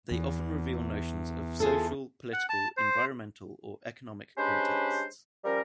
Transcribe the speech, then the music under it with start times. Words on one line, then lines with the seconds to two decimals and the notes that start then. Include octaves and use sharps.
They often reveal notions of social, political, environmental or economic contexts.
0.11 E2
1.60 F4 G#4 A4
2.33 F#5
2.49 A5
2.77 C5
4.38 G#3 C#4 D4 G4 B4 C5
5.45 F3 G3 C#4 A#4